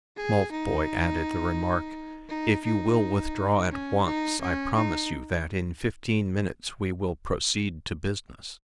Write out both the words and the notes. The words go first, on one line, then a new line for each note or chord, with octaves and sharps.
Maltboy added the remark: "If you will withdraw at once, I promise you that in fifteen minutes we will proceed to business."
G#4
D#4
D#4
D#4
C#4
D#4
C#4
D#4